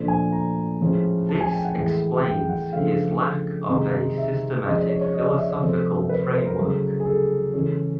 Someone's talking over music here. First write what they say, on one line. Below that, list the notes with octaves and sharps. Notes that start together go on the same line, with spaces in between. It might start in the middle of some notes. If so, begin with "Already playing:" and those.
This explains his lack of a systematic philosophical framework.
Already playing: A#2 F3 A3 D4
G#5
A#5
A2 F3 G#3 C#4
A5
G#5
G5
F#5
A2 E3 G#3
G5
F#5
C#3 F3 A3 D4 F5
C3 D#3 G#3 C4 D#4
E5
F3 G#3 C#4 D#5
D5
C#5
C#5
D#5
D5
E5
C#5
C3 F3 A3 C4 C5
B4
C5
B4
A#4
C#3 F#3 A3
G#4
A4
C#3 E3 G#3 C#4 A4